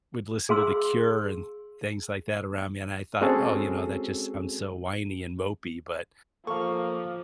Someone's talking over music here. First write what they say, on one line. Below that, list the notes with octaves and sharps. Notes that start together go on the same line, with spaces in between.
would listen to The Cure and things like that around me and I thought, oh, you know, that just sounds so whiny and mopey, but,
G#4 F5 C6 E6
G#3 C4 C#4 F#4 G#4 A4
F3 A#3 A4 F5 C#6